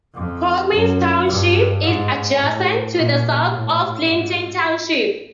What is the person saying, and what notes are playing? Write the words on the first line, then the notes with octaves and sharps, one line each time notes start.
Comins Township is adjacent to the south of Clinton Township.
F2
F#2
G2
G#2
A2
A#2
A2
G#2